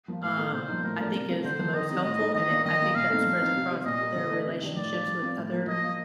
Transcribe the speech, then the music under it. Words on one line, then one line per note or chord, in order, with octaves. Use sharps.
um, I think is the most helpful and it I think that spreads across their relationships with other,
F3 A#3 F4
A2 F5
A3 D#4
A#2 C5
F3 A#3 D#4
A2 A#4
F3 A3 D4
C3
F3 A3 C4 F4
D3 C5
F3 A#3
D#3 D#5
G3 C4 D#4
A2 D#5
A3 D#4
D#3 D#5
A#3 D4 F4
D#3 D#5
A#3 F4
A#2 F5
A3 C4 D#4
F3
C4 D#4
C3
G3 C4
A#2 D#5
G3 A#3
D3
A3 D4
C3
D#3 G3 D4
A2 D5
G3 D4 F4
F3
C4 F4
A2
F3 A#3 F4
F3 D#5
A#3 F4